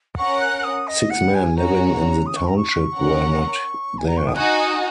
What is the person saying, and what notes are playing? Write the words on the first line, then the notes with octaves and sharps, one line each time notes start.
Six men living in the township were not there.
C#4 A#4 F#5 C#6
F#6
F#6
D#6
D#5
F#5
G#5
C#4 F#4 C#5 F#5 A#5
D#6
C#6
A#5
C#6
C#4 A#4 F#5
G#5
A#5
C#6
D#6
D#4 F#4 D#5 G#5 F#6
D#6